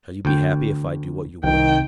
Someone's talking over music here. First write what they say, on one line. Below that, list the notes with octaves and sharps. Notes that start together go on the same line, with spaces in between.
"Shall you be happy if I do what you wish?"
D2 G5
C2 D#3 G5